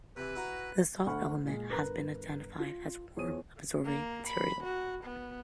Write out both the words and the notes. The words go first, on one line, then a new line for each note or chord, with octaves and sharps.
The soft element has been identified as warm absorbing material.
C3 E3 B4
E4 F#4 A#5
D2 A3 F#5 B5 C#6 F6
A#2 G#3
G1 A#4 B4 A#5 F#6
F4
E2 F3 C#5 D#6 D#7
A#3
B5
F#4
B3